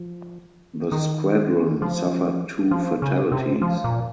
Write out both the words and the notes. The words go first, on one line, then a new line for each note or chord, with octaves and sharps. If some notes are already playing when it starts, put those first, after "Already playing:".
The Squadron suffered two fatalities.
Already playing: F3
D#3
F3
F3
C#3
C3
F3
A#2